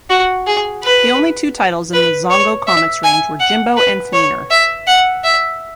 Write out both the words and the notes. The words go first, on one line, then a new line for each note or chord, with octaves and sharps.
The only two titles in the Zongo Comics range were "Jimbo" and "Fleener".
F#4
G#4
B4
B4
C#5
E5
G#5
F#5
B4
C#5
E5
F#5
E5